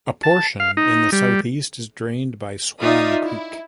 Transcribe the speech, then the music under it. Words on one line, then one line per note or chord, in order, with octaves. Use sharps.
A portion in the southeast is drained by Swan Creek.
A5
F5
D#4
G3
D#4 F4 D5 E5 D#6
E4